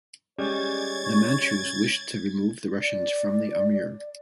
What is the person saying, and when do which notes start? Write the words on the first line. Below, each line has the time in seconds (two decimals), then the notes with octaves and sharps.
The Manchus wished to remove the Russians from the Amur.
0.39 G3 G#3 C#4 C#5 G#6 A6
2.81 D5